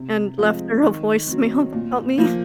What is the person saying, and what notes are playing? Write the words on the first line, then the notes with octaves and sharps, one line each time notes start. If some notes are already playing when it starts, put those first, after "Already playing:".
and left her a voicemail about me.
Already playing: C3
F3 G#3 C4
D#3
F#3 C4
A#2
F3 A#3